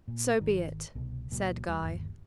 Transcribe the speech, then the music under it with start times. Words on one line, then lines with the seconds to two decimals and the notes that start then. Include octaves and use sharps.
"So be it," said Guy.
0.08 A#2
0.41 G#1 D#3
0.95 C2 B2
1.30 C#2 A#2 D3 F#3
1.68 D#2 G3
1.81 G1 D#2